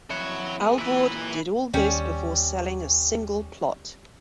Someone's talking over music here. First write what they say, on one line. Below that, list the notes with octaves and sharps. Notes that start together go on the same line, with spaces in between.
Alvord did all this before selling a single plot.
F2 E4 C#5 F#5
B3 G#4
A#2 E3 E4 B4
D#2 G3 C#4 G5 G#5